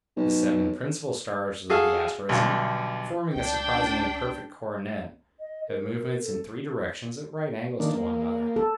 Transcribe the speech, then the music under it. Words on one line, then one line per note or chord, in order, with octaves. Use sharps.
The seven principle stars of the asterism, forming a surprisingly perfect coronet, have movements in three directions at right angles to one another.
B1
F#4 G#4 A4 F5
B1 G2 D3
C#2 D4 G5
D#5
A#4
A4
D#3 A#3 D4
A#3
A4